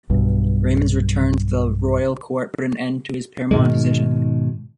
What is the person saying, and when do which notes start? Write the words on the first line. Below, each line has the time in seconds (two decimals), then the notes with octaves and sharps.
Raymond's return to the royal court put an end to his paramount position.
0.10 B1 G2
3.51 G#2 B2 D#3 G#3